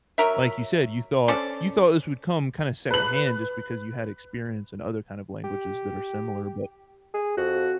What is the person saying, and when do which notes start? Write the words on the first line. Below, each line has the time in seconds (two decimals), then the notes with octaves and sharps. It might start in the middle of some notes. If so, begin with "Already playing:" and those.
like you said, you thought you thought this would come kinda secondhand just because you had experience in other kind of languages that are similar, but
0.18 F#3 A#4 E5
1.28 C#4 A4 C5 D5
2.91 B4 F#7
5.44 G4
7.14 G#4
7.37 F2 F#4